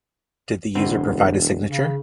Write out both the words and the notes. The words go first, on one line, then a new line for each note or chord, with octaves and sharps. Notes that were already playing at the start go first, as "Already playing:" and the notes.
Did the user provide a signature?
E1 D3 C4
C#3